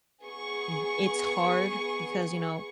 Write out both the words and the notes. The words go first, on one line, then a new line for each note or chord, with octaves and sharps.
mm, it's hard because, you know,
B3 G#4 C#6